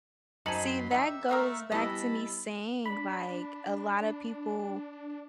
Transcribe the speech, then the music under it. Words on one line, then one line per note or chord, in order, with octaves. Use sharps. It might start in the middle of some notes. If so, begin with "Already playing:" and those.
See, that goes back to me saying, like, a lotta people
F#2 D#4 C5 G#5 A5 B5 C6 F#7
D#4 G4 E5
A3 A#3 A#4
E3 G3 B3 E4 D#5 A5 B5
D4 B5